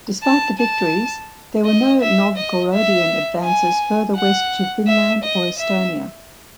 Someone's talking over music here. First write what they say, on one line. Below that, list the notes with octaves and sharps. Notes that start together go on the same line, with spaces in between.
Despite the victories, there were no Novgorodian advances further west to Finland or Estonia.
A5
A5
D#5
E5
D#5
E5
G#5
F#5
E5
D#5
E5